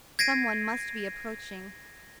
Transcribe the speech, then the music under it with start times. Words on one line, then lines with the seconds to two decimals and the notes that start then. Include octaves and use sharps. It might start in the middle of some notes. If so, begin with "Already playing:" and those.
Some one must be approaching.
0.19 G#6 A#6 C7 D7 D#7